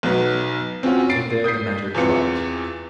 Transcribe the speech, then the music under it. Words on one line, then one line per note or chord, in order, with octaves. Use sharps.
So there the matter dropped.
B1 F#3 B3 D#4
C4 C#4 F4 F#4
A6 C7 D7
D#6 G6 B6 C7
E2 E3 B3 C4 F4 C#7